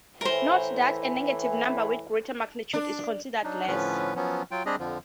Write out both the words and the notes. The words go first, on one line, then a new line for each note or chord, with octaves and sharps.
Note that a negative number with greater magnitude is considered less.
A2 E3 A#4 C5
D4
F#3 D4 D#4
A2 D3 F3 C#4 B4
F3 F#3 B3 C#4
F#3 F4 G5
G3 C4 D4 G4 G#4 D#5
F2 D3 F3